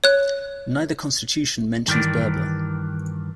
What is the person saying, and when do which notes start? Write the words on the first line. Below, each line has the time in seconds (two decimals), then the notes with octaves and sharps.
Neither constitution mentions Berber.
0.04 C#5 F#6
1.87 G2 D#3 E3 A#4 D5